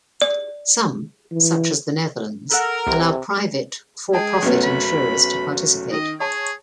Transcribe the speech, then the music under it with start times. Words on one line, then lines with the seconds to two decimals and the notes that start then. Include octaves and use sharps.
Some, such as the Netherlands, allow private for-profit insurers to participate.
0.22 D5
1.31 E3
2.51 A4 A#4 F#5 F#6
2.87 C2 C3
4.13 G#3 G#4 G5 A5
4.42 F#1 F#3 A3 B3 C#4
4.63 B5
5.92 D#3 D#5
6.20 G#4 C#5 A5